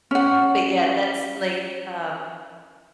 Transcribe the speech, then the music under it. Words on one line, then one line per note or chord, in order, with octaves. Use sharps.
But yeah, that's like, um
C#4 F#5